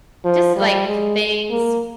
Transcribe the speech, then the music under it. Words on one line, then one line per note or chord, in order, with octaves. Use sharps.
just, like, k things,
F3
G3
G#3
A#3